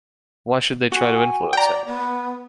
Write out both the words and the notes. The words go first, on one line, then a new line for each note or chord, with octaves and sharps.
Why should they try to influence him?
F#4 G#5
D5 G5 A#5
B3